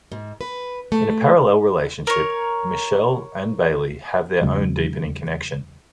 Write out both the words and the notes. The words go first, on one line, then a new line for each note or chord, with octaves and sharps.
In a parallel relationship, Michell and Bailey have their own deepening connection.
G#2
B4
A3
A#4 C#5
E2 C#3 F#3 G#3